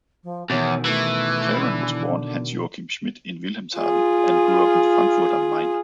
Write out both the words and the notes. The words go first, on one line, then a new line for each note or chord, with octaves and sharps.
Clarin was born Hans-Joachim Schmid in Wilhelmshaven, and grew up in Frankfurt am Main.
F3
E2 B2 D#3 C#5
E3 A3
D3
F4 G#4